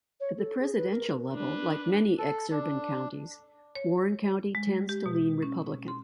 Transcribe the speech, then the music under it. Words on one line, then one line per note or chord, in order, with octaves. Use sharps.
At the presidential level, like many exurban counties, Warren County tends to lean Republican.
C#5
A4
G#4
B4
A#4
D4 B4
A4
D4
C#5
G#3
G4
B2
C#4
C6